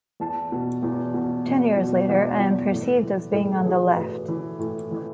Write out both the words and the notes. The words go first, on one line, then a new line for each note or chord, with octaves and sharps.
Ten years later I am perceived as being on the left.
E2 A5
B2
E2
B2
E2
B2
E2 F#5
B2
A2
E3
A2 G#4
A4
F#4
E3 G#4
A2 B4
E3
A2
E3